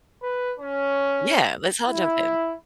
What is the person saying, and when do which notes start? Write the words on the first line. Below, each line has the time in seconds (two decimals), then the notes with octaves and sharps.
Yeah, let's all jump in.
0.23 B4
0.60 C#4
1.87 E4